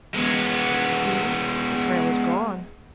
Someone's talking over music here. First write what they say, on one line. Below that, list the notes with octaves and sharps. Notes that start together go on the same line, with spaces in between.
See, the trail is gone!
G#3 B3